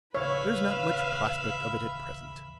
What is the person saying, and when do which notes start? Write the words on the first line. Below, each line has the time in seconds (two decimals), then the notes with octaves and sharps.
There is not much prospect of it at present.
0.15 D#1 A1 C#3 B4 C#5 E5 F5 B5